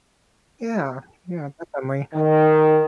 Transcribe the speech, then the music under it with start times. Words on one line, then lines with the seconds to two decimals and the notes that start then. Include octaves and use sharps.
Yeah, yeah, definitely.
2.14 D#3